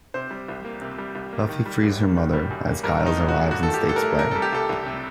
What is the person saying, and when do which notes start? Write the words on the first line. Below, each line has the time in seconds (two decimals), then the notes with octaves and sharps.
Buffy frees her mother as Giles arrives and stakes Blair.
0.14 C3 C5
0.31 G3
0.48 C2
0.65 A#3
0.82 C3
0.98 G3
1.15 C2
1.33 A#3
1.49 D#3
1.66 G3
1.83 F#2
1.99 A#3
2.17 D#3
2.33 G3
2.51 F#2
2.67 A#3
2.83 G2 A#4
3.01 D#3
3.06 D#4
3.17 A1
3.29 F#4
3.34 A3
3.51 G2 F#4
3.63 A4
3.68 D#3
3.74 G4
3.85 A1 A4
3.96 A#4
4.02 A3
4.19 C3 A#4
4.31 G3 A4
4.42 G4
4.52 C2 A4
4.69 C2
4.86 C3